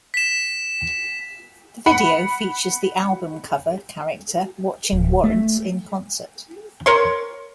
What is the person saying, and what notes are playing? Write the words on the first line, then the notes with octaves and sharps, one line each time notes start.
The video features the album cover character watching Warrant in concert.
B6 E7
F#5 B5
D1
A3
A#4 C#5 C6